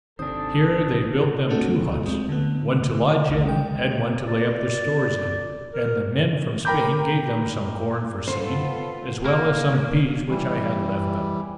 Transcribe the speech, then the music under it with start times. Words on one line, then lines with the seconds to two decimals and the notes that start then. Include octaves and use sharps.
Here they built them two huts, one to lodge in, and one to lay up their stores in; and the men from Spain gave them some corn for seed, as well as some peas which I had left them.
0.19 G#1 C3 D#3 D4 A4 C5 D#6
1.49 A3 B3 C4 D4 F#4 A4
1.89 D2 A#2 A3
2.06 G#3 C4
2.29 D3 A3 B3
3.29 A1 D#2 A3
3.45 G#3 G5
4.27 D5
5.73 A#4
6.65 A#4 G5 A#5 B5 D6 G6
8.28 B3 F4 A4 C5
9.25 A#3
10.29 E3 G3